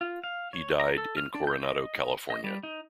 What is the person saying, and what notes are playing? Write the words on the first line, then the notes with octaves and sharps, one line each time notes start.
He died in Coronado, California.
F4
F5
C#5
A#5
A4
F6
D4
G6
D#5
D#5
G3
D#4